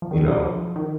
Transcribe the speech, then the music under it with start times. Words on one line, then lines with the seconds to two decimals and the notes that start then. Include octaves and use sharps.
you know,
0.02 F3
0.11 D#3
0.28 F#3
0.44 F3
0.76 D#3